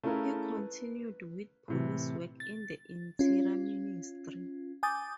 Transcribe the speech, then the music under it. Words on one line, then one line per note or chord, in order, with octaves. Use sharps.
He continued with police work in the Interior Ministry.
A3 C#4 E4 G#4 A#4 F5
B4
A2 C3 E3
A6
C#4 F4
G#5 D6 D#6 G6 A6